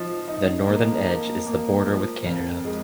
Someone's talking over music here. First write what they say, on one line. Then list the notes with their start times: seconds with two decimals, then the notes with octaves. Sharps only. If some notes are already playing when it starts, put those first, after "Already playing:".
The northern edge is the border with Canada.
Already playing: F3 D#4
0.28 D#4
0.67 A#3
1.08 A#3
1.46 A#3
1.87 F3
2.25 F2
2.65 G#3